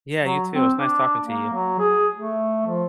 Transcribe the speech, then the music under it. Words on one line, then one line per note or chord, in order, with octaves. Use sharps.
Yeah, you too. It was nice talking to you.
F#3
C4
D4
A#3
F#3
G#4
A3
F3